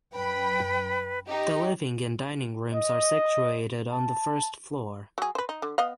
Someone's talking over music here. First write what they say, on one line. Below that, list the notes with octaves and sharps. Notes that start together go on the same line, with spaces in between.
The living and dining rooms are situated on the first floor.
F#2 B4 G5 B5
D#4 G4 D#5
D#5
A5
F#3 G#4
B4 C5
D#4
D3
B3 D#5 F5